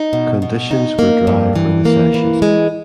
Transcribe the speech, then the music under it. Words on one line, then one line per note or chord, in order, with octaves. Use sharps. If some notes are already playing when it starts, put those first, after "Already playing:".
Conditions were dry for the session.
Already playing: D#4
B2
B2
D#4
A#3
G2
E3
A#3
E3
G#3